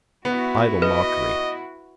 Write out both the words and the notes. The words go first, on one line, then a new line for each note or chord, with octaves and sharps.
Idle mockery.
B3 E4 F#4
B4 D#5